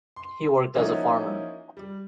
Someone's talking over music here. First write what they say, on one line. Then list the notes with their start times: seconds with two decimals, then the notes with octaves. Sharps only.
He worked as a farmer.
0.16 C6
0.75 F3 A#3 C#4 D#4 E4 F#4
1.77 G3